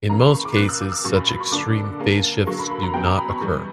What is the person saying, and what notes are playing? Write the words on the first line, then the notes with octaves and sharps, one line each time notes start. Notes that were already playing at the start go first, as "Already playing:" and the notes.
In most cases such extreme phase shifts do not occur.
C#3 E3 A#3 C#4 A#5
B5
C#6
D6
A#2 A#3 C#4 F#6
E6
D6
E6
A#2 F#3 C#4 C#6
B5
B5
C#6
D3 A#3 D4 D6
D3 A#3 C#4
D3 F#3 A#3 C#6
B5
B5
A#5
B2 F#3 C#4 G5
A#5
B5
C#6
E3 G3 B3